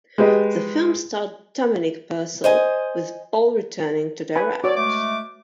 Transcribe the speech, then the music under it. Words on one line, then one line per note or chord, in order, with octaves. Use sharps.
The film starred Dominic Purcell, with Boll returning to direct.
G#3 G4 B4 D#5
C5 D#5 G#5
B4 G#5 B5
F#4 C#5 D5
G#3 A3 D6